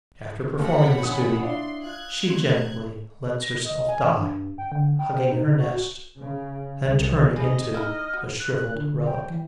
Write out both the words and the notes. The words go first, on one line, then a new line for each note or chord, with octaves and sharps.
After performing this duty, she gently lets herself die, hugging her nest and turning into a shrivelled relic.
D#2 C#5 F#5 B5
A#1 C#3 G#5 D#6
D4 E4 D5 F5 C6
F4 F#6 G#6
C3 A3 C4
A#6
D#5
G#5
E3
G2
G5
D3
G5
C5
D#4
F#4
C#3
C2
G3 D#4 G#4 D#5
D#4 E4 F6
F#4
F#6
D3
G5
E3